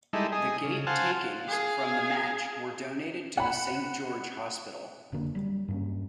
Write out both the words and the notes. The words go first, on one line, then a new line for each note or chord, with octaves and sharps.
The gate-takings from the match were donated to the Saint George Hospital.
G3 G#3 D#4 E4 A4
G#4 D#5
C#3
C5 F5 F#5 G#5 A5
G#4 F5
F#5 B5
F1 D3 A#3 D4
F#3 G3
G2 A#3 C#4